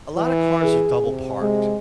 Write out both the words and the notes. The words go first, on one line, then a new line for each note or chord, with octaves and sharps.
A lotta cars are double-parked.
E3
G#4
C3
G#3